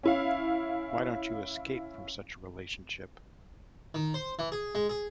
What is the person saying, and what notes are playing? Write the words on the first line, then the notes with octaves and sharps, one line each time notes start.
Why don't you escape from such a relationship?
C#4 E4 F5
D#3
C5
E3
G#4
G#3
G#4